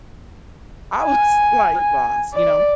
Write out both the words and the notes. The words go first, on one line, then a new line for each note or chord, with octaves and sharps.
I was, like, lip gloss, you know?
G#5
G#5
D5